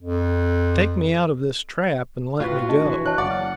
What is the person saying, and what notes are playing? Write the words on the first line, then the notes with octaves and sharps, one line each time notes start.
Take me out of this trap and let me go.
F2
A2 F4 F#4 B4
D4 D#5 A5
E3
C#5 D#5 A5 F#6
F#1 D5 F#5 D6
F6